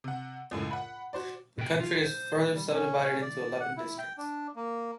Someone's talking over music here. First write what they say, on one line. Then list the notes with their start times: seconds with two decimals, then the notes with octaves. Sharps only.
The country is further sub-divided into eleven districts.
0.04 C3 F#5
0.51 C#2 F#2 A2
0.71 F#5 B5
1.13 F#4 C5 D5
1.58 B2 G5
1.80 F4
2.03 C5
2.55 G3
2.74 C#4
3.21 D5
3.60 F#5
3.77 E4
3.98 G5
4.18 D4
4.56 A#3